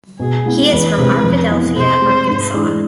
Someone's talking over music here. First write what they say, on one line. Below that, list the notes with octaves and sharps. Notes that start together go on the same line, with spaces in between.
He is from Arkadelphia, Arkansas.
B2 G#4
G#3 B3 E4
E2 B4
C3 G#3 C4
F2
E3 B3
C3 C5
G#3 C4
G#2
E3 G#3 D4